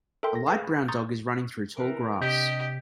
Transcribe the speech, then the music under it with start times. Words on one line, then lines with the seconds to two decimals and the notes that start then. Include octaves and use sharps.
A light brown dog is running through tall grass.
0.23 A4 A#4 E5 G5 C6
0.35 A#6
0.48 G#4 B4 F5
0.64 B5
0.88 A#5 C6 C#6 D#6 G6 A6
1.77 E3 A#4
2.21 C3 D4 G4 D#5 G6 B6